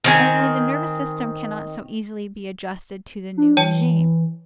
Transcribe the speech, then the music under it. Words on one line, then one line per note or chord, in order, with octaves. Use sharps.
Only the nervous system cannot so easily be adjusted to the new regime.
D#3 C4 G#5
D4
E3 C#5 G5 A5